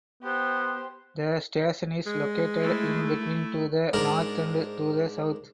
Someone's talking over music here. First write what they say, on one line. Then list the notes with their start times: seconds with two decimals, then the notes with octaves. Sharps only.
The station is located in between to the north and to the south.
0.23 B3 G4 C5
2.06 G#3
2.62 A3 E4
3.93 G#2 D4 A#4